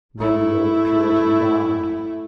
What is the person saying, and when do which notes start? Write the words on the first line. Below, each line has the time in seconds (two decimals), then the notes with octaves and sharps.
Then the old Puritan died.
0.19 A3 E4